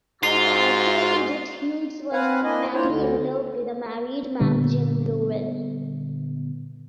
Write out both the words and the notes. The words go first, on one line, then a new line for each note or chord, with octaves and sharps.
Her character, Edith Hughes, was madly in love with a married man, Jim Lowell.
G#2 F4 F#4 C7
C4 B4 F5 F#5 G#5
A#3 D4 E4 D#5 G#5
A#3 D4 E4 F4 C5 C#5
D2 D3
A#2 D3 G3 B3